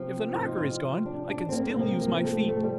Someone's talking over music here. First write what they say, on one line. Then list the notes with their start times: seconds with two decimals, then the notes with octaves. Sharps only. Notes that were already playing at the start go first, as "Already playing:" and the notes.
"If the knocker is gone, I can still use my feet."
Already playing: C3 F3
0.35 F4
0.46 D#4
0.57 F4
1.06 D4
1.29 D4
1.49 C4
1.52 A#3
1.70 A3
1.76 C3 F3 A#3
2.01 A#3
2.24 A3
2.48 A3
2.63 G3